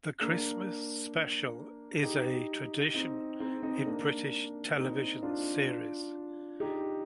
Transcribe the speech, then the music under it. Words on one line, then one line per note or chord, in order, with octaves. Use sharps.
The Christmas special is a tradition in British television series.
A#3 D4
D#4 G4
C4 D#4
C4 D#4
C4 D#4
A#3 D4
C4 D#4
D4 F4
D#4 G4